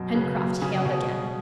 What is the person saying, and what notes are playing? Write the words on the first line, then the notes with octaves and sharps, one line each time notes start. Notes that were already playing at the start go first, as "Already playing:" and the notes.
Pencroft hailed again.
Already playing: F#2 B2
C#3 B4
F#3
C#3 G#4
B2
B2